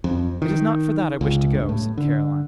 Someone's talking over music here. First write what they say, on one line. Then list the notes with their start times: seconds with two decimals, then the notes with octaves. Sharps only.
"It is not for that I wish to go," said Caroline.
0.04 F2
0.42 D#3
1.21 C#2
1.54 G2
1.69 A2
1.98 D3